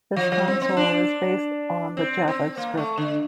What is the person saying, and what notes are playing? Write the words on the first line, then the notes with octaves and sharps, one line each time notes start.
This console is based on the JavaScript.
F3
F3
C4
C4
D4
C4
C4
A#3
A3
D3